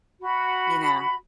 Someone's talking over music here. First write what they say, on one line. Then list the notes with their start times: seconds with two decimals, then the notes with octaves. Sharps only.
you know?
0.22 F#4 B5